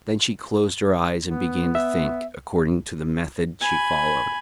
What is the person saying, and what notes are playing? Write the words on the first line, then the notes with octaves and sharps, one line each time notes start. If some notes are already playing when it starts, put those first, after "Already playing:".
Then she closed her eyes and began to think, according to the method she followed.
B3
E5
G#5 B5